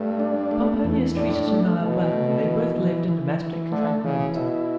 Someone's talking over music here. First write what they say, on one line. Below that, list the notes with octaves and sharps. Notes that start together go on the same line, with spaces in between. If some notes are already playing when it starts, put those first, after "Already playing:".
Pomponius treated Annia well and they both lived in domestic tranquility.
Already playing: G2 A3
D4
A3
E2
A2 D4
A3
B2 E3
A3
E3
E3
E3
E3
D3 A3
C#3 E3
B2 E4